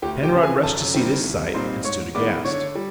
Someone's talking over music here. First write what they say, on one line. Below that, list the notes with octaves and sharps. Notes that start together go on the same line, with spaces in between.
Penrod rushed to see this sight, and stood aghast.
D2 G4 G5
G4 G5
C#3 E3
G#4 G#5
F#2 A4 A5
D#3 G3 C4 E4
C2
A#2 G3 C4 D#4 C5 C6
G#2 C#5 C#6
D#3 G#3 B3 E4 D5 D6
D3 C#5 C#6
G3